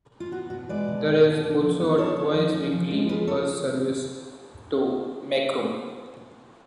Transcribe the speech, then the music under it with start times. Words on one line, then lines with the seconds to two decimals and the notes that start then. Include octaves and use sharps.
There is also a twice weekly bus service to Macroom.
0.20 F4
0.31 B3 F#4
0.50 B2 F#4
0.69 G#3 B4 D5
0.88 B2
1.06 B3
1.24 B2
1.43 D4
1.61 F3
1.80 B3
1.98 F4 A4 C#5
2.16 D4
2.35 F3
2.54 C#4
2.72 F3
2.91 G#3
3.09 F4 G#4 B4
3.27 C#4 A4 C#5